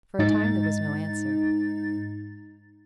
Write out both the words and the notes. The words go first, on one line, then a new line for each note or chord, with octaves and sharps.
For a time there was no answer.
G#2 D#4 A6